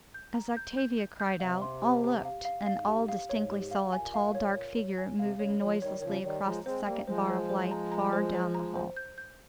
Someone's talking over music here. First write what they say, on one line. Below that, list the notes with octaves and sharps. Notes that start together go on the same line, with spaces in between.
As Octavia cried out, all looked, and all distinctly saw a tall, dark figure moving noiselessly across the second bar of light far down the hall.
G6
A#5
G6
G6
G6
G6
C3 F5
C6
G4
G4
F5
F5
G#2 F5
G4
F5
G#2 C#5
G4
F5
A#2 G#5
F5
C#5
C#5
C#5
G#5
C3 F5
C#3 C#5
F3 G#3 C#5
D#3 G3 C#5
D#3
C#3 F3 C#5
D#3 G3 C#5
F3 G#3 A#5
G#3 C4 C5
G3 A#3 G5
F3 G#3 C5
C5
C5
A#5
A#5
C5
C5
A#5
C5
G6
G6